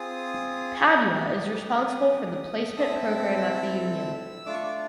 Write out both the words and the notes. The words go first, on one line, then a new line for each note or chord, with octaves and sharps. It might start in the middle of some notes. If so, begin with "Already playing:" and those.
Padua is responsible for the placement program at the union.
Already playing: C4 F4 G#4 D#6
D4 G4
C4 E4 A4 E6
A3 D4 F4 D6
C#6
D6